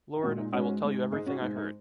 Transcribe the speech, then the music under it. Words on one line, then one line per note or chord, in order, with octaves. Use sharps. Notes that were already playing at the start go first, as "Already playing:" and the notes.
Lord, I will tell you everything I heard.
D#4
A#2 G#3 C#4 F#4
D#4
G#2 G#3 C#4 F#4
G#2 G#3
G#2 G#3 D#4 G#4
C#4 F#4
G#2 G#3 D#4
D#4